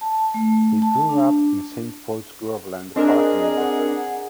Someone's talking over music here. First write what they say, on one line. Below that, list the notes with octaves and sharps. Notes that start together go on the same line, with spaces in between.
He grew up in Saint Paul's Groveland Park neighborhood.
A5
A3
A5
D4
C4 D4 G#4 A#4 D#5
F#5